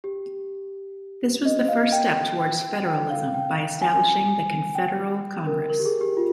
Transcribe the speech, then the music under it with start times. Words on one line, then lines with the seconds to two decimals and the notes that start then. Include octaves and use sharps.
This was the first step towards federalism by establishing the confederal Congress.
0.04 G4
1.45 D#5
1.68 F5
1.92 G5
2.16 G5
2.40 G5
2.87 G5
3.10 F5
3.34 G5
3.82 G#5
4.75 G5
5.47 A#4
5.70 A#4
5.80 G4
5.85 G#4
6.01 G4
6.17 F4